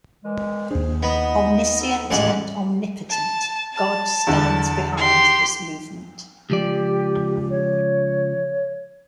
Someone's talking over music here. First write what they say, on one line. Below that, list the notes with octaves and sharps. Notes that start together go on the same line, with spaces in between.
Omniscient and omnipotent God stands behind this movement.
A#2 E3 G#3
D#2 D4 G#4 C5
B3 D#4 D#5
D#4 A4
A1 G#2 F3 F#5 G#5
A5
A5
E2 D3
G4 C6
C#2 F3 G4 D5
C#5